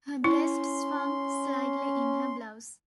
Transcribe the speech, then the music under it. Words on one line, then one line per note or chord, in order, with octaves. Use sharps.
Her breasts swung slightly in her blouse.
C#4 E4 C6